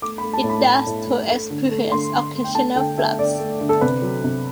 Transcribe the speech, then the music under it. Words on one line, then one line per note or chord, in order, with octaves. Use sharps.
It does though experience occasional floods.
A3 D6
B5
A3
A5
A2
B5
A2
A2
A2
A3
D3
A3
D3 C6
D3
A3
G5
A3 A5
D3 G5
A3 E5
D3 D5
A3
D3
A4
C3 B4
F#3
C3